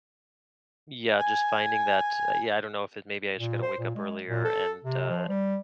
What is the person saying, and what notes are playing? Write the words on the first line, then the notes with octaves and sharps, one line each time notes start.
Yeah, just finding that, uh yeah, I don't know if it maybe I just gotta wake up earlier, and, uh
G#5
A#2
C5
A#2
G#3
A#2
A4
C3
F3
G3